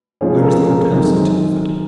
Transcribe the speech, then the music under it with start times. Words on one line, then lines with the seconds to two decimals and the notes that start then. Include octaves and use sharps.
Where is the old house of Tilford?
0.21 C#3 F3 G#3 C#4 G#4
0.37 A#4
0.44 A4
0.68 A#4
0.91 F#2 D#3 G#3 C4 D#4